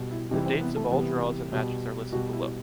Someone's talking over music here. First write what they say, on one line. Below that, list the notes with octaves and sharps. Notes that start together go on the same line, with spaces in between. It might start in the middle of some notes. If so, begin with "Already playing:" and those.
The dates of all draws and matches are listed below.
Already playing: B2 G3
E4
C3 E3 G3 D#4
C4
B3
A3
C3 E3 G3 B3
B2 G3
B2 G3 F#4
E4